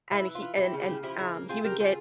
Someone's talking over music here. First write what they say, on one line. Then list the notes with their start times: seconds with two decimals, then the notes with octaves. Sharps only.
and he and and, um, he would get
0.11 E3 E4
0.27 E3
0.35 F4
0.42 E3
0.57 C4 E4 G4
0.73 C#3
0.81 E4 G4
0.89 C#3
1.03 F3 E4 G4
1.18 C#3 E4
1.34 A#3
1.49 C4 F4 G#4
1.64 C#3 G4 A#4
1.80 C4 F4 G#4